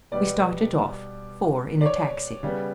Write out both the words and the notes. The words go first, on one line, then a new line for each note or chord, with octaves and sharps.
We started off--four in a taxi.
B2 G3 B3 D5
D5
C#5
C#3 G3 B3